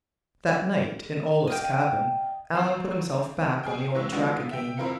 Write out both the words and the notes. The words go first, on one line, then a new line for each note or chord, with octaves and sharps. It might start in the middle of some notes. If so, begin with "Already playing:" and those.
That night, in Olaf's cabin, Alan put himself back on the old track again.
D#5 F5 G5
G#1 C7 E7
G#4 G5
B1 E3 G#3 C4 C#6 E6
G#3 B3 D4 D#4 F4 F#4
E5 G5
F2 C4 E4 A#4 F5 C#7